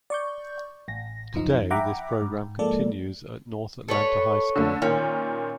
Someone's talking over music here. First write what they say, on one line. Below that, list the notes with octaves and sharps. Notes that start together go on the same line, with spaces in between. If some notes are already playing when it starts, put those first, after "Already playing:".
Today this program continues at North Atlanta High School.
D5 C#6 G6
A1 A#6
C#2 F#2 F3 D#4
E5 F#5 G5 A#5 B5 D6
G#2
F3 G#3 A#3 A4 D5
A4 B4 C#5
D3 A3
A#2 D#3 C#4